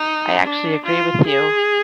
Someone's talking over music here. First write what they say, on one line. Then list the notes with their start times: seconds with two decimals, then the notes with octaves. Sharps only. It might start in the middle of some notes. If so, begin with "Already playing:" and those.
I actually agree with you.
Already playing: D#4
0.43 D4
0.85 F4
1.26 G#4